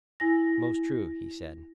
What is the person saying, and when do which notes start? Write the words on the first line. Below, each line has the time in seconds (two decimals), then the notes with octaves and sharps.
Most true, he said.
0.20 E4 G#5 A#6